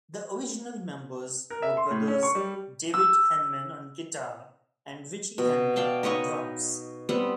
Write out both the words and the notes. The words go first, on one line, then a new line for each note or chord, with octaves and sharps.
The original members were brothers David Henman on guitar and Ritchie Henman on drums.
A#4
E5
C6
A2
C#4
C#6
G3
E6
B2
D5 F5 G5 A5
D#4 B4 C#5 D#5
G3 B3 C4 F#5